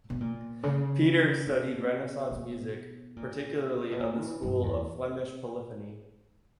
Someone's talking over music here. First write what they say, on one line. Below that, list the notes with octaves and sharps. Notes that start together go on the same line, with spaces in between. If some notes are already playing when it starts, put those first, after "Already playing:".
Peeters studied Renaissance music, particularly of the school of Flemish polyphony.
B2
A#2
C#3
B2
B2
A#2
B2
A#2
E3
G2
E2